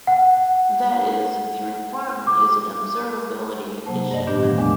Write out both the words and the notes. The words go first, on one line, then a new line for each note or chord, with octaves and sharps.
That is, the requirement is an observability condition.
F#5
D6
C3 F#3 A#3 C5 A5
G2 D5 D#5 A#6
A2 D3 F#3 B3 D4 G4
B2 D#3 F3 F#3 A3
E2 A#2 G#3 D4 G#5 D6